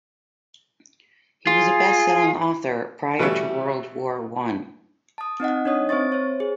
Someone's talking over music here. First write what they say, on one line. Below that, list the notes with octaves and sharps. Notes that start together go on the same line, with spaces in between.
He was a best-selling author prior to World War One.
F4 G#4
B2 E3 G3 A3 E4
A5 D#6
C4 D#4 D#5 F#5
D4 D#4 C#5 D#5 D#6
C4 C5 E5 C#6 A6
C5 C#5
G#4